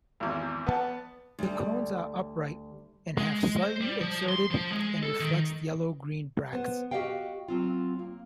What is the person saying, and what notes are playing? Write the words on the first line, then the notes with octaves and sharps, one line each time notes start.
The cones are upright and have slightly exserted and reflexed yellow-green bracts.
G#1 E2
B3 A5
D2 G3
G#3
C5
G3
F3
C6
F3
G#3
A4
D#3
B3 C5
F#4 G4 C#5 D#5 F5 G5
F#3 C4 F4
A#3